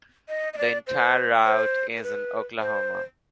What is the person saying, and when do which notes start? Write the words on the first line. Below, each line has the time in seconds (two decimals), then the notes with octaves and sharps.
The entire route is in Oklahoma.
0.29 D#5
0.53 D#5
0.58 D5
0.87 C5
1.46 C5
1.96 A#4
2.03 B4
2.61 C5